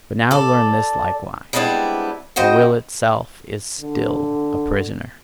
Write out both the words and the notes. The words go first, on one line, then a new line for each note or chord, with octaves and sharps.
But now learn this likewise: the Will itself is still a prisoner.
A4 D5
G3 G#3 B3 C4 D4 E4
C#3 F#4 C5 D#5 G5
D3